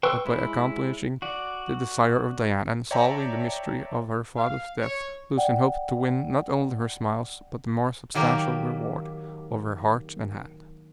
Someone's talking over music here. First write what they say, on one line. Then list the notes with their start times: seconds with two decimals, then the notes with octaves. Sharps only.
But by accomplishing the desire of Diana, and solving the mystery of her father's death, Lucian hoped to win not only her smiles but the more substantial reward of her heart and hand.
0.03 B4 G5 C6 C#6 E6
0.25 G#3 E4 C#5
1.22 F#4 D5
2.91 C#5 D5 E5 G5 A5 A#5
4.37 F5
4.81 C#5
5.37 D5 F#5 G5
8.15 D#3 F#3 A#3 G4